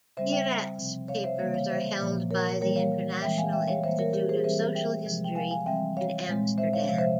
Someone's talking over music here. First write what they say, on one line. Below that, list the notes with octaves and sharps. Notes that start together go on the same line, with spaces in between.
Peirats papers are held by the International Institute of Social History in Amsterdam.
C#3 G3 C4 C5 E5
E5 G5
C3 F3 C4
C#5 F5
C5 E5
C#3 E3 G3 A#3 C#5 F5
C#5 F5
C5 E5
A#2 F3 A#3
A#4 C#5
E3 G3 A#3 A#4 C#5
C#5 F5
E3 G#3 C4 E5 G5
F5 G#5
E5 G5
C#5 F5
E3 G3 A#3 C5 E5
A#4 C#5
G4 A#4
G#4 C5
E3 G3 C4 C5 E5
E5 G5
C3 F3 G#3
G5
F5 G#5
F5 G#5
E3 G3 C4 E5 G5
C#5 F5
A#2 G#3 C4
C5 E5
C#5 F5
C3 F3 G#3 F5
C5 E5